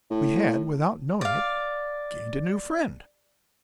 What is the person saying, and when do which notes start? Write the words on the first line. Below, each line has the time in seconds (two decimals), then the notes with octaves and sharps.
We had, without knowing it, gained a new friend.
0.10 A2
1.21 D5 F5